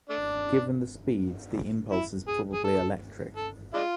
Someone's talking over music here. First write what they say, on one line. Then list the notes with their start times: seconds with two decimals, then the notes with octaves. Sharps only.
Given the speeds, the impulse is probably electric.
0.09 A3 D4
1.92 E4
2.28 G#4
2.53 G#4
2.64 A4
3.36 A4
3.74 G#3 D4 F4